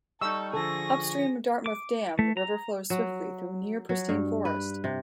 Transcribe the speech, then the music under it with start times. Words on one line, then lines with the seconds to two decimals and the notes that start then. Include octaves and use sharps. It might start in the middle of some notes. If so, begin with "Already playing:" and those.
Upstream of Dartmouth Dam, the river flows swiftly through near-pristine forest.
0.21 G3 D#4 A4 C#6 E6
0.53 D3 F3 G#4 A4 A#6
1.66 D6
2.19 A3
2.37 A#5
2.90 F#3
3.89 F#3
4.09 G2
4.45 B4
4.84 C3